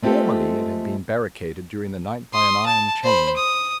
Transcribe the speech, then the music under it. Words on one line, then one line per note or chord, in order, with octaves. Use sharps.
Formerly it had been barricaded during the night by an iron chain.
G#3 A3 C4 F4 G4 A4
C6 D#6
A5
C5 B5
D#6